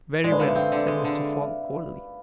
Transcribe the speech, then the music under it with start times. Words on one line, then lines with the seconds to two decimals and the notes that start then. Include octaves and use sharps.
"Very well," said Mr. Fogg, coldly.
0.24 G#3 D5
0.32 B4
0.40 D3 F5
0.48 E5
0.55 C4 F5
0.72 D3
0.88 G#3
1.04 D3